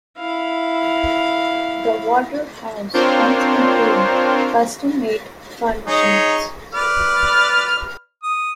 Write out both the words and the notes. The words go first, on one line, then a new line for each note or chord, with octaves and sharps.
The Warder house once contained custom-made furnishings.
E4 F5
C4 D4 F4 A#4 C5 C#5
D#4 G#4 C#5
B4 D5 F6
D#6